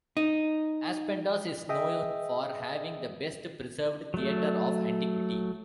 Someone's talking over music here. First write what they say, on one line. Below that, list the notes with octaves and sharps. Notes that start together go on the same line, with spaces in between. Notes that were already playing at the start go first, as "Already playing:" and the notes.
Aspendos is known for having the best-preserved theatre of antiquity.
D#4
G#4 D#5 E5 G5 D#6
F#3 A3